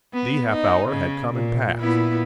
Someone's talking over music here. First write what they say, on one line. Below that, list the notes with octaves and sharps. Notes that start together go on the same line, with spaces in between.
The half-hour had come and passed.
B3
D#4
C#3
A#2
A#2 B3 E4